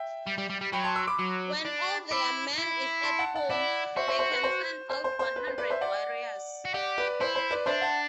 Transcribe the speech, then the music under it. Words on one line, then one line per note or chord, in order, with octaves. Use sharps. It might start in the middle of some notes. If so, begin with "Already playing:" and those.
When all their men is at home they can Send out One Hundred Warriors.
Already playing: E5 G5
G3
G3
G3
G3
F#3 G5 B5
A5 C6
C6 E6
B5 D6
F#3
D4
E4 B5 D6
E4
A5 C6
F#5 A5
F#5 A5
E4 D5 F#5
F#4 C5 E5
C5 E5
C5
B4
C5
C5
C5
C5
B4
C5
B4 D5
C5 E5
D5 F#5
F#4
G4 D5 F#5
B4 D5
E4 C5
C5
B4 D5
D4 C5 E5
F#5 A5